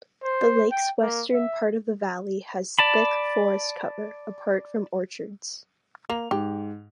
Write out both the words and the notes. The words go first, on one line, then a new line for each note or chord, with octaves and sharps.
The lake's western part of the valley has thick forest cover, apart from orchards.
C5
G5
A#3
E5
D5 A5 B5
A#3 F7
G#2 G4